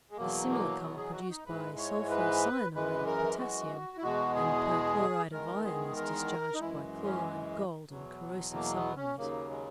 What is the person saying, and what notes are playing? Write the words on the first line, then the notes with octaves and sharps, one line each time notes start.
The similar colour produced by sulpho-cyanide of potassium and perchloride of iron is discharged by chloride of gold and corrosive sublimate.
G#3
E2 B2 F#3 A#3
A#3
B3
G#4
F#4
D#4
G#2 E3 G#3 B4
C#5
B4
F#2 E3 G#3 B4
A#4
F#4
E4
E2 B2 G#3 F#4
G#4
E2 D#3 G#3 A#4
G#4
A#4
D#4
F#2 E3 G#3 E4
C#4
E2 B2 F#3
A#3
B3
C#4
D#2 C#3 F#3 A#3
G#3